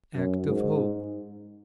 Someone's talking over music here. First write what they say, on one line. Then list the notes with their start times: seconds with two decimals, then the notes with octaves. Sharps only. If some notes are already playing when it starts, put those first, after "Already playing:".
Act of Hope.
0.15 F#2
0.47 G#2